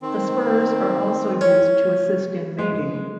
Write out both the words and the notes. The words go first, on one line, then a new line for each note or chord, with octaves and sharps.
The spurs are also used to assist in mating.
D#3 C4
C#4
G#3